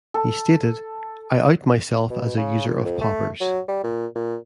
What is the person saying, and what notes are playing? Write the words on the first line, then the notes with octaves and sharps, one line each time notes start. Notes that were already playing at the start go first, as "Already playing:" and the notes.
He stated, I out myself as a user of poppers.
A4
B2
C#3
A#2
F2
A3
F#3
G3
A#2
A#2